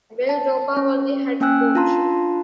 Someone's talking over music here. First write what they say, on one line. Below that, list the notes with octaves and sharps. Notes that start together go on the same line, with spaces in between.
Bill Roper was the head coach.
A5
C#4
A#3 C#4 G5 G#5 E6 F#6
D4 F4 F5 A5 A#5 C6